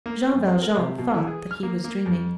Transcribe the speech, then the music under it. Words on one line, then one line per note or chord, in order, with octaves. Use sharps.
Jean Valjean thought that he was dreaming.
A#3
F#2
C4
A#4
C3
B2
E3
G#4
F6
A#3
A#3
F2